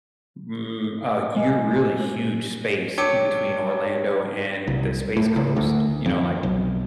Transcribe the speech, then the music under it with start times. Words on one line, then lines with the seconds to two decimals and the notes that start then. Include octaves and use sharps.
mm, uh you're really huge space in between Orlando and the Space Coast, you know, like,
1.36 G#3
2.98 D4 C#5 G5 D6 C#7
4.67 C2
5.17 A2
5.36 C#2
5.56 D2
6.06 F2
6.43 B1